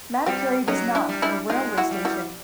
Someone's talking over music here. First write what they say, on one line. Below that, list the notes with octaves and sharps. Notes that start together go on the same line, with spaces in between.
Madikeri does not have a railway station.
G3 C4
F#3 C#4 D#4
D4 E4
G3
D4 E4
G#3 D#4 F4
E4 F#4
G3
E4 F#4